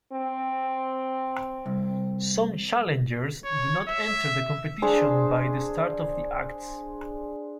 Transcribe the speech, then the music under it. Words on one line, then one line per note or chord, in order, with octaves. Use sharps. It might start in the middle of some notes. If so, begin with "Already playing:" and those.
Some challengers do not enter the competition by the start of the acts.
C4
C2
C#5
E5
D4 G#4 C5 A5